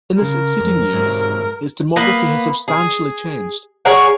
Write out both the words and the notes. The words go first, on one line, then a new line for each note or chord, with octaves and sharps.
In the succeeding years, its demography has substantially changed.
C#3 A#4
F2
G#2 F#3
A#3 B3 B4
G#4
G#4 A#4 C#5 F#5